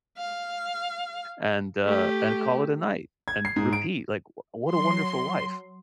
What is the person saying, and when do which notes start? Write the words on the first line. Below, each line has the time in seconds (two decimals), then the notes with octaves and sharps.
and, uh, and call it a night, and repeat. Like, w what a wonderful life.
0.17 F5
1.84 A3 G4
3.28 G#6
3.45 C7
3.56 G#2
3.73 D7
4.69 F#3 C6